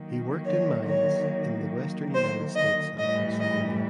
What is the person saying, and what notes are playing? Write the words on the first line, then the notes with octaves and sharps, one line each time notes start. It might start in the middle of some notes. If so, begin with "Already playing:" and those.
He worked in mines in the western United States and Pennsylvania.
Already playing: D#3 F#3 A#3
C#5
C#5
C5
D#5
A2 E3 G3 D#5
D#5